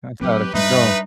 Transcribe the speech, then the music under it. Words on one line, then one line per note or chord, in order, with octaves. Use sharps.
That's out of control.
F#3 G3 C4 G4 B4
G2 G3 D#4 B4 E5